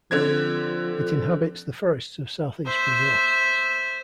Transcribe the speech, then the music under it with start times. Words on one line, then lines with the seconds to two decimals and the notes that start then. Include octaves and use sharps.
It inhabits the forests of south-east Brazil.
0.11 D3 F3 C4 G#6
2.66 C5 E5